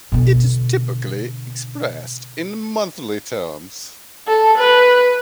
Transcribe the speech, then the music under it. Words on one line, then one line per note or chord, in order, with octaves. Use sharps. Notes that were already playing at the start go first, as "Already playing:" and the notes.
It is typically expressed in monthly terms.
B2 D3
A4
B4